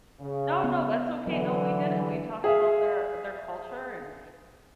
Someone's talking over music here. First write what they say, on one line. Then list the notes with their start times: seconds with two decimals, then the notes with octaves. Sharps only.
No, no, that's okay, no, we didn't, we talked about their their culture and
0.20 C#3
0.64 B3
1.27 D3 E3 F#3
2.44 G#4 E5 F5